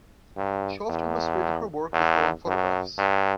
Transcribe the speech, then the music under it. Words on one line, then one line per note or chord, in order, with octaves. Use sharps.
She often illustrated her work with her own photographs.
G2
E2
E2
F#2
G2